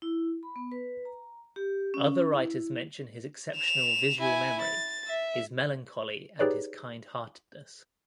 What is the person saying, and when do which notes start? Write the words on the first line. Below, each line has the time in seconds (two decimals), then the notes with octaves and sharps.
Other writers mention his exceptional visual memory, his melancholy and his kind-heartedness.
0.02 E4
0.43 B5
0.56 B3
0.72 B4
1.05 A#5
1.56 G4
1.94 C#4
2.32 E4
3.56 E7 F7
4.21 E4 G#5
4.62 A6
5.07 E5
6.39 D#4 G4 G#4 B4 C#5 D5